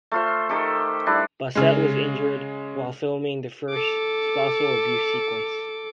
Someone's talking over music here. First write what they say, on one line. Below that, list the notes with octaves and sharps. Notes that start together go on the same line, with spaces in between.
Bassett was injured while filming the first spousal abuse sequence.
A3 F4 C5
D#3 G4 A4
G3 D4 E4
C#3 G#3
A4 D6